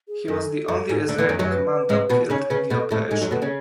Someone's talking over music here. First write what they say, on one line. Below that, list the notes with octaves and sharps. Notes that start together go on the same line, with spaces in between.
He was the only Israeli commando killed in the operation.
G#4
F#2 A4
F#2
G#2
D2 D3
E2 E3
F#2 F#3
F#2 F#3
B4
G#2 G#3
B2 B3
C#3 C#4 C#5
C#3 C#4 B4
B2 B3 A4
A2 A3
G#2 G#3
F#2 F#3
B2 B3
C#3 C#4